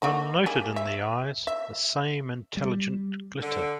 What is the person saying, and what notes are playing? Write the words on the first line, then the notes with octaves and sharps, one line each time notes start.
One noted in the eyes the same intelligent glitter.
A#3 D#4 F#4
G3 A#3 G#4
E5
E5
G3
D3